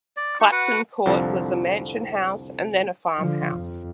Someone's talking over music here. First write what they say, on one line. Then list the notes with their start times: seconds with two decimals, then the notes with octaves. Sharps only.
Clapton court was a mansion house and then a farmhouse.
0.17 D5
0.40 D#4 G4 C#6
0.52 F#4 B4 F#5
1.06 C2 F2 D3 F3
3.18 D3 F3
3.56 F2